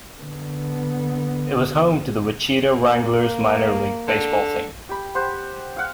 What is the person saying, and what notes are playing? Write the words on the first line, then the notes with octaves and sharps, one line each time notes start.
It was home to the Wichita Wranglers minor league baseball team.
D3 B3
A#3
D3
G4 B5
G4 C5 F#5
F5 F#5